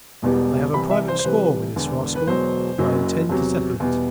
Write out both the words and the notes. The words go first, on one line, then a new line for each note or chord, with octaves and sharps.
I have a private score with this rascal, and I intend to settle it.
E1 E2 B2 G3
C2 C3 E3 G3 B5
E5
C5
C5
C2 C3 E3 G3 B4
E1 E2 D3
B4
E1 E2 B2 F#3 C5
F#1 F#2 F#3
E2 C3 F#3
E2 B2 G3